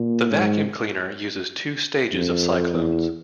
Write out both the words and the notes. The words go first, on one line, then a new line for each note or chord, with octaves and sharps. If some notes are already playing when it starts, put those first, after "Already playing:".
The vacuum cleaner uses two stages of cyclones.
Already playing: A#2
G#2
F2
E2